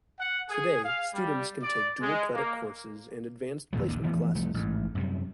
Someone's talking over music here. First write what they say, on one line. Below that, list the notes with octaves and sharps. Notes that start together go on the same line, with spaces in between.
Today, students can take Dual-credit courses and Advanced Placement classes.
F#5
G#4
F5
G3
D5
G#3
A#3
E2 A#2 D#3 F#3
A#1 D#2 D3
E3 F3 A3 B3
C2 F3 A3
A1 G#2
F#2 C3 G3